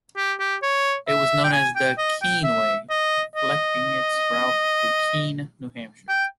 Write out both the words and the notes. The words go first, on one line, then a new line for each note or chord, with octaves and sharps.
It was known as the "Keene Way," reflecting its route through Keene, New Hampshire.
G4
G4
C#5
E5
G5
G#5
G5
D#5
G5
E5
D#5
D#5
G5